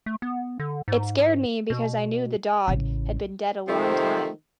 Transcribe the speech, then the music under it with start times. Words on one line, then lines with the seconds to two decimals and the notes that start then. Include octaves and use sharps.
It scared me because I knew the dog had been dead a long time.
0.06 A3
0.22 B3
0.60 D3
0.88 G#2
1.70 B2
2.68 A1 C#3
3.68 C3 D#3 F3 A3 C4